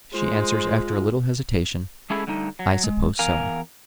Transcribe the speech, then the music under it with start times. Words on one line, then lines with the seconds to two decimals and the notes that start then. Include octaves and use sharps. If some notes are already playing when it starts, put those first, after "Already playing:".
She answers, after a little hesitation, 'I suppose so.
0.14 G#3 F4 C5
2.10 G#3 A3 C#4 E4 G#4 A4
2.27 D3 G3 A3 D#4
2.59 F#3
2.84 G#3
3.19 E2 A#4 F5 G#5